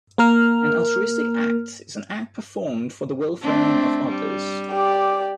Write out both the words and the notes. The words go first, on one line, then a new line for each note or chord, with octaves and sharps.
An altruistic act is an act performed for the welfare of others.
A#3 A#4 F6
A3 C4 D4
G3
G4 D5